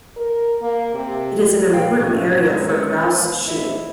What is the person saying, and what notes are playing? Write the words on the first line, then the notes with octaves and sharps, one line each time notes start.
It is an important area for grouse shooting.
A#4
A#3
C3
D2 A#2 A#3 B4 F5 G5
A2 C3 C#4 D#4
F2 D#3 F#3 G#3 B3 C4
D#3 G#3 C#4 A#4 B4 C#5
B3 F4
E4 D#5 E5